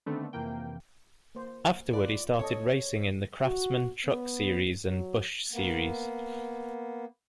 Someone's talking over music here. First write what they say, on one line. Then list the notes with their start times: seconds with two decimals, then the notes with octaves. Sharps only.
Afterward, he started racing in the Craftsman Truck Series and Busch Series.
0.06 D3 D#3 A3 B3 C4 D4
0.33 F2 C3 E3 A#3 G5
1.35 A#3 C5
1.93 F4 B4 D5
2.39 C4 A4 C#5 D#5
3.44 F#4
4.05 B3
4.88 F#3
5.53 A#3 B3